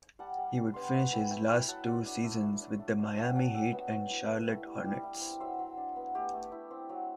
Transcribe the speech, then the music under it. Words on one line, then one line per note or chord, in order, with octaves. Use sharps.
He would finish his last two seasons with the Miami Heat and Charlotte Hornets.
G3 F#5 A5
G3
D4
B3 C6
B5
A3 F#5 A5
E4 G5 B5
A3 G5 B5
E4 G5 B5
B5
F#3 F#5 A5
F#3
D4
A3
A3
D4
A3
D4
A5
F#3 E5 G5
F#3 F#5 A5
D4 E5 G5
B3
A3
E4
A3
E4
G3
G3
E4
C4
F#3 C5 E5
F#3
D4
B3
A3 G4
A3
E4
C4
F#3